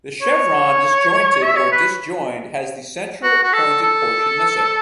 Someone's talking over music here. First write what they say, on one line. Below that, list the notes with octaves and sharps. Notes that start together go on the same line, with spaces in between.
The chevron disjointed or disjoined has the central, pointed portion missing.
C#5
E5
C#5
B4
F#4
F#4
A4
A4